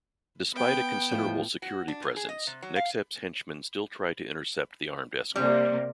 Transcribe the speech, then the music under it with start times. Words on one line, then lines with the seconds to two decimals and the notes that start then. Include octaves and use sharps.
Despite a considerable security presence, Nexhep's henchmen still try to intercept the armed escort.
0.54 B3 G5
1.11 A2 F3 G#3
1.62 F#4
1.88 D4
2.02 A#2
2.16 G#4
2.29 D#5
2.47 C3
2.63 F#3
2.76 F5
5.36 C3 G3 A#3